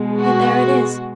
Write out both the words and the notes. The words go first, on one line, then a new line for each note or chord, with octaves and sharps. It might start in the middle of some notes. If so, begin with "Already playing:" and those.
Yet there it is.'
Already playing: B2 G#3
F#4